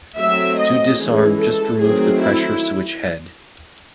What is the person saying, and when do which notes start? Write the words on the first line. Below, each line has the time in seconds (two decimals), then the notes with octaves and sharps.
To disarm just remove the pressure switch head.
0.18 F#3 A3 C4 E5
0.59 D#5
0.99 E3 G#3 C#4 G#4
1.39 A4
1.80 D#3 F#3 A3 C4 G#4
2.22 E4